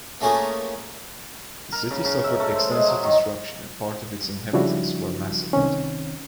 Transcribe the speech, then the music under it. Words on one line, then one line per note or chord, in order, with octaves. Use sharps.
The city suffered extensive destruction and part of its inhabitants were massacred.
A3 A#3 C#4 F4 G#4 A#4
A#4
C#3
C#3
E5
A3
C5
G#3
F#3
D#3
C#3 F3 G3 D4 E4 F#4
C2 D#3 C4 C#4